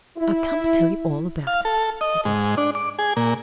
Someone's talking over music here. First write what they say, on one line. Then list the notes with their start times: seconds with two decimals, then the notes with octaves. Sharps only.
"I've come to tell you all about it," she said.
0.18 E4
1.47 F5
1.65 A4
2.01 D#5
2.25 G#2
2.57 D4
2.75 D6
2.99 G#4
3.16 A#2